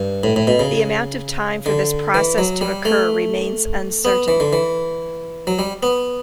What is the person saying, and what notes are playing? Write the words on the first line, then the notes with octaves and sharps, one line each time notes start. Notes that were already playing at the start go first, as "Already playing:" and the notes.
The amount of time for this process to occur remains uncertain.
Already playing: G2
A2
A2
B2
C#3
D3
E3
F#3
G3
A3
B3
E3
D3
E3
F#3
G3
B3